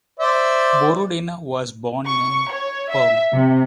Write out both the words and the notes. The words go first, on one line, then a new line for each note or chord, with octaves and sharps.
Borodina was born in Perm.
C5 D5 E5
C#6
C#5
E5
C3